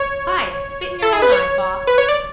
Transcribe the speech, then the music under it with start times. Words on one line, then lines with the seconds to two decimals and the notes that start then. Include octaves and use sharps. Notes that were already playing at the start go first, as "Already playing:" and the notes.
Hi! Spit in your own eye, boss!
Already playing: C#5
1.02 A4
1.13 G#4
1.22 B4
1.32 C#5
1.87 B4
1.98 C#5
2.09 D5